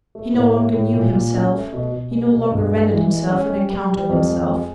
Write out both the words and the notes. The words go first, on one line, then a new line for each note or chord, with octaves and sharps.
He no longer knew himself, he no longer rendered himself an account of himself.
A3
A2
A3
A2
A#2
A#2
C#4
A3
B2
B2
G#3
B2
G2
G#3
E3
G#3
C#4
G3
G3
G3
F2
G#3
G#3